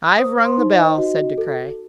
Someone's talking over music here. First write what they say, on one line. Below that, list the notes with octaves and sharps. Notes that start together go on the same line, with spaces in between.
"I've rung the bell," said De Craye.
C5 D#6
C6
D#4
D#5
F#4
A4